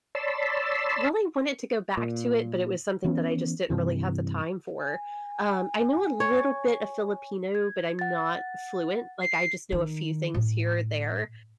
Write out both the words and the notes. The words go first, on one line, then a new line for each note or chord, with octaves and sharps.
really wanted to go back to it, but it was something that I just didn't really have the time for. Um, I know a little bit of Filipino, but I'm not fluent. Like, I just know a few things here or there.
C#5 D5 A5 B5 C6 E6
A#2
E3 B3 C#4
G2 C3 E3
G#5
C#5
G#6
F#5 A6
C7
D#3
A2